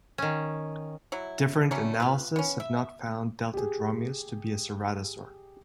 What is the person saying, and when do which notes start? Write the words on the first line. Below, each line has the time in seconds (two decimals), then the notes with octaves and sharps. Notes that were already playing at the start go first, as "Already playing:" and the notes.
Different analyses have not found "Deltadromeus" to be a ceratosaur.
0.18 D#3 C#4
1.12 F#3 E4
1.71 F#3 G3 A3 C#4
2.00 F4 B4
2.36 B3 C#4
2.60 E5
3.54 G4 G#4